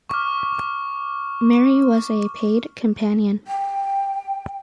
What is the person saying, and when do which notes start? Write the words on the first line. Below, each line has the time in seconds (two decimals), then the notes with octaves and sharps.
Mary was a paid companion.
0.10 C#6 D6 F6
3.47 G5